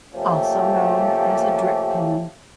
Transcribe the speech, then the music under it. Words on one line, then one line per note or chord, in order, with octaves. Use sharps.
Also known as a drip pan.
C3 F3 A3 A#3 C#4 G4